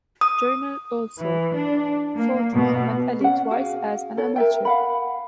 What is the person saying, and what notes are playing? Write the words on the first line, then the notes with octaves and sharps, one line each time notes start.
Joiner also fought Muhammad Ali twice as an amateur.
D#6
E3
D4
A#3
B2
C#4 F#5
F#4 G#4 F5
A4 C#5
A#4 E5 G5
F5 F#5 B5